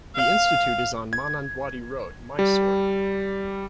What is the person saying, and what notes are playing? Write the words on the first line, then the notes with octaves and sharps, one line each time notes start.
The institute is on Manandwadi Road, Mysore.
F5
G#6
G3